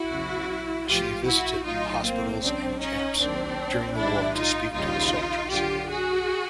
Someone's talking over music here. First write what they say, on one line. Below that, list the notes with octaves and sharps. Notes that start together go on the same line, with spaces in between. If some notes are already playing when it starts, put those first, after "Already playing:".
She visited hospitals and camps during the war to speak to the soldiers.
Already playing: E4 F#4
E2 C#3 F#3
A2 F3 F4 G4
E4 F#4
A2 F#3 D#4 F4
A#3 C4
C#2 C#3 F#3 C4 D4
C#4 D#4
D#2 D#3 F#3 C4 D4
A2 E3 G3 D4 E4
D#4 F4
D#2 C#3 E3 G3 D#4 F4
F#2 D3 F#3 F4 G4
F#4 G#4